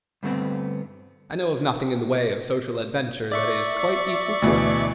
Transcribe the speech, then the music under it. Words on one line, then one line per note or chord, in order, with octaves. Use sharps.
I know of nothing in the way of social adventure that is quite equal to it.
G2 D3 A3 B3 C4
D5 E5 C#6
D2 B2 E3